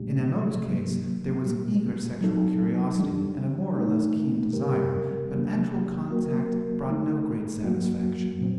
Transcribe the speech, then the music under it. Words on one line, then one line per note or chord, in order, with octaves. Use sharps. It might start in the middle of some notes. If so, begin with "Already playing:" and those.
In M.O.'s case there was eager sexual curiosity, and a more or less keen desire, but actual contact brought no great satisfaction.
Already playing: A#2 F#3 A3 D4 G4
C3 D#3 F#3 A#3
A#2 G3 A#3
F#3 C4 D#4 A4
D#3 G3 D4
D#3 A3 D#4
C3 G3 C4 G4 A#4
C3 D#3 F#3 A#3 D4
F#3 A#3 F#4 A#4
D#3 A3 D#4
F#3 A#3 F#4
A#2 F#3 C4